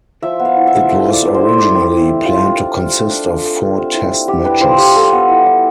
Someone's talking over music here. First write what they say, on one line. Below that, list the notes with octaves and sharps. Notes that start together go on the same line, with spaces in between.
It was originally planned to consist of four Test matches.
F3 E5
B3
F5
E4
E5
F3
A3 E5
E4
D5
A3 D5
C5
E4
E5
G3 D5
C4
E4
G3
G3 F4
D4
F4
G3
A3
D4
F4
A3
G3
C4
E4
G3
G3 G4
D4 B4
F4 C5
G3 G4
G3 A4
B3
E4
G3